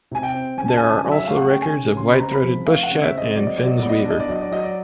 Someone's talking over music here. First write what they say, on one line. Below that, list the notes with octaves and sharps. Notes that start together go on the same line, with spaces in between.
There are also records of white-throated bush chat and Finn's weaver.
C3 G#5
G5
C4
C#3 G#5
A5
C#3 G#5
A5
G#5
F#3
E5
A3 F5
F#5
C#3 G5
G#5
C#3
C#3 C6
B5
C4 A#5
B5
F3
A3 F5
F#5
C#3
E5
C4
D#5
F#3 D5
D#5
F#3 D5
D#5
B3 D5
D#5
D5
D4
D#5
D5
F#3 D#5
D5
F#3 D#5
D5